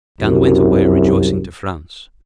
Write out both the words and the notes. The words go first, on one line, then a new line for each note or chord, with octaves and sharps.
Gan went away rejoicing to France.
C2 F#2